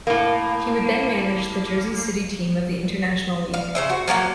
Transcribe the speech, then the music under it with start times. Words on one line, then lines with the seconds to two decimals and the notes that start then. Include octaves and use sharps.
He would then manage the Jersey City team of the International League.
0.07 A2 A#3
3.54 F5
3.75 C#3 C5 E5
3.90 F#4
4.07 F3 F#3 G#3 A#3